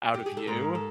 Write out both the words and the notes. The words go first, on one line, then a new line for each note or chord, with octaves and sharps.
out of you
G4
G#4
A4
G#2 A#4
A4